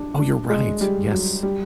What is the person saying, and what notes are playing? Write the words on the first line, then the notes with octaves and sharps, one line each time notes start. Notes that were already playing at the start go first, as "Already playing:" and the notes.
Oh, you're right, yes,
Already playing: D4
D4
G#3
G3
F#3
G3